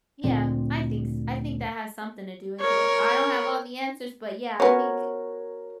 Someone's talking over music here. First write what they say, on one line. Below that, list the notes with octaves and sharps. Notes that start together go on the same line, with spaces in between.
Yeah, I think s I think that has something to do with it. I don't have all the answers, but, yeah, I think
D2 A#2 D3 C4
A#4 C#5
B3 C#4 F#4 A#4 C#5